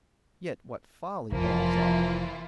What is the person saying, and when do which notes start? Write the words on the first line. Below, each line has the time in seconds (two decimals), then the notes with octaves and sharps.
Yet what folly balls are!
1.32 F1 F2 E3 F3 A#3 E4 F4